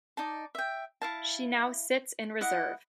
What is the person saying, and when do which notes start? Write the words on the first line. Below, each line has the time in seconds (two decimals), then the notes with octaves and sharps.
She now sits in reserve.
0.17 D#4 D5 A5
0.55 E5 G5
1.02 E4 F5 A5
2.41 E4 D#5 F#5